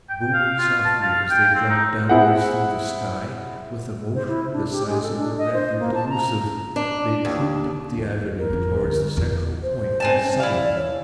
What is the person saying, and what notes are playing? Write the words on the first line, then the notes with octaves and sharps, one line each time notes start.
Booming softly as they dropped downwards through the sky, with a motion the size of them rendered delusive, they trooped up the Avenue towards the central point that summoned them.
G5
F5
F4
A5
F5
G5
C4
D#4
C4 E4 G#4 F#5
C5
E4
D4
G4
G#3
A4
D4
D#5
C5
A#3
A5
A#5
D4
D#2
E2
A#4
F2 C#4
D2
E2 B3
C5
C4 G#5 A5
C#4
E4 D5 F5
C#5